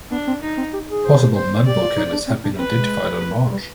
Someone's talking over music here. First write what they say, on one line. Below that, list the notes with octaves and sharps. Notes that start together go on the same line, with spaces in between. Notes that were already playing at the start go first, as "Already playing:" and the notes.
Possible mud volcanoes have been identified on Mars.
B3 D4
C4
D#4
C4
G4
G#4
C5
C5
G4 D5
F4
D#4
D4
C4
D4
C4 B4
G#3
G3